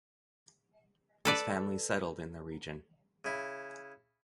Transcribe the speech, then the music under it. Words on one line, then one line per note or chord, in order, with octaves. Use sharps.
His family settled in the region.
A4 B4 D5
C#3 E4